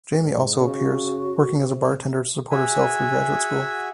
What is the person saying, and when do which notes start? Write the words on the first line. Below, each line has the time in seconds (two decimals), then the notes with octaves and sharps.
Jamie also appears, working as a bartender to support herself through graduate school.
0.22 G#2
0.60 C#3 F#4
1.58 C3
2.51 F#4 G#4 E5 G#5